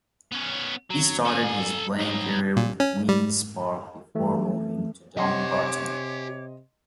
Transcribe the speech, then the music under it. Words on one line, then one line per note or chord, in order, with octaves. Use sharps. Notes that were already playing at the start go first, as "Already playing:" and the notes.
He started his playing career with Queen's Park before moving to Dumbarton.
B3 C#4
F#3
A4 G#5
F#3 D#4
A#2
C#4
G3
E3 A3
C3 G4 C#5 D#5 F#5 C6 D6